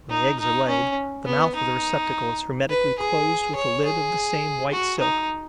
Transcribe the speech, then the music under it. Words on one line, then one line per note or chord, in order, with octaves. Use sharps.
When the eggs are laid, the mouth of the receptacle is hermetically closed with a lid of the same white silk.
D#4
D#4
C#4
B3
D#4
B4
G#4
C#5
G#4
F#4
D#4